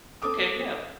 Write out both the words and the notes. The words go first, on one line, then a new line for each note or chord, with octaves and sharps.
Okay, yeah.
A4 D6 D#6